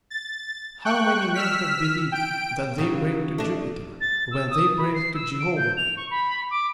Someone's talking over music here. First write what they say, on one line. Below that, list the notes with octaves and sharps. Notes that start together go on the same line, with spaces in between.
How many men have believed that they prayed to Jupiter, when they prayed to Jehovah!
A6
G5 C#6 F#6
E6 F6 B6
G5 D7
C#3 F#3 C#4 D#4 G4
A3 D4
A6
E6
D#6
B5
C7
E6
D7
G6
F7
C#6
B5
D6